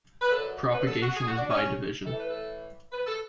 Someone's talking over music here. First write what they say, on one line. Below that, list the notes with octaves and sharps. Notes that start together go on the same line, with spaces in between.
Propagation is by division.
B4
F#2 D3 F#3 A4
B4
A4
F#4
G#4
F#4
D4
C#4
A2 E3 A4
B4
A4
B4
A4